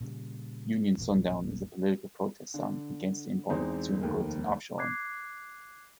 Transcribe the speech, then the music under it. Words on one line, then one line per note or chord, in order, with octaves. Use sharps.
"Union Sundown" is a political protest song against imported consumer goods and offshoring.
A#2 C#3 G3
E1 A1 A#2 A#3
D3
E2 G#3 C4 D#4
F1 D#2 A3 A#3
D6 F#6 G#6 C7